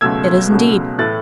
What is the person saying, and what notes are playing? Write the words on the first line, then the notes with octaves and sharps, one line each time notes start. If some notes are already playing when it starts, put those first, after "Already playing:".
"It is indeed."
C#2 B2 F#3 A3 E6 G#6
C#2 B2 F#3 A3
A2 E3 A3 F#6 A6